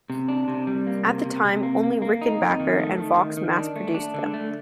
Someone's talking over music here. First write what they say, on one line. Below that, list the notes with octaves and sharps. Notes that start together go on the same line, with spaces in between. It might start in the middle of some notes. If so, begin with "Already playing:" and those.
At the time, only Rickenbacker and Vox mass-produced them.
C3
D4
C3
G3
A#3
C3
C3
C3
A#3
A#3
A#3
D#4
F2
D#3
A3
D#3
D#3
D#3
D4
A3
D4
D3
A3